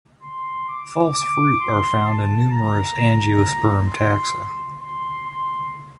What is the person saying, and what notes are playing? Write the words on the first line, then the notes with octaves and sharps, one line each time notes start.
False fruit are found in numerous Angiosperm taxa.
C6
D6
D6
C6
A5
A#5
A#5
C6
C6
C6